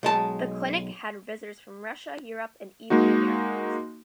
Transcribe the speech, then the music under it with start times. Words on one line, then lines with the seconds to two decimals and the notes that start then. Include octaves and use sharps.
The clinic had visitors from Russia, Europe and even the Americas.
0.03 B1 G#3 A5
2.90 G#3 A#3 D#4 F#4